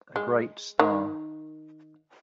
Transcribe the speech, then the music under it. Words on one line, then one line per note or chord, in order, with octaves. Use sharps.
A great star.
G#3
D#3